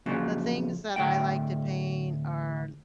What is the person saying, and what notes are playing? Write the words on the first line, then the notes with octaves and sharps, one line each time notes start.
the things that I like to paint are
F2 A#2 C#3 F#3
D2 A2 G5